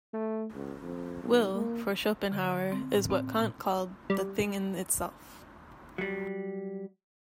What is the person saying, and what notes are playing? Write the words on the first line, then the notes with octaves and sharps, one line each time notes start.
Will, for Schopenhauer, is what Kant called the "thing-in-itself".
A3
C#2
F2
B1
A#3
D3
C4
A2
C4
A#2
G3
F#3 G3